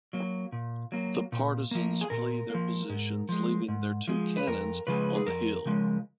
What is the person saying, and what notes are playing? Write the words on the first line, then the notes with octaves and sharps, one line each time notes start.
The Partisans flee their positions leaving their two cannons on the hill.
F#3 A#3
A#2
F#3 A#3
A#2
F3 A#3
G#4
A#2 A#4
F3 A#3
G#2
F3 G#3
G#2
F3 G#3
B4
F2 A#4
C#3 F3 G#3 B4
G#4
F2 A#4
C#3 F3 G#3